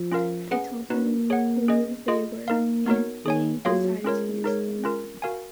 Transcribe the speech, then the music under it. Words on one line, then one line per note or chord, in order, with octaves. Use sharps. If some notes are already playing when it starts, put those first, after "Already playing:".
They told him who they were, and he decided to use them.
Already playing: F3
C#4 F4 A#4 F5
C#4 G#4 B4 F#5
A#3 D#4 F#4 B4
G#4 C#5 F#5
C#4 G#4 D#5
F4 G#4 D#5
A#3 D#4 A#4 F5
B3 D#4 F#4 A#4 C#5
D#3 G#4 C#5 G#5
F#3 A#3 F4 G#4 C#5 F5
G#3 C#4 F4 A#4 C#5
D#4 A#4 C#5
C#4 F4 A#4
F#4 A#4 F5 G#5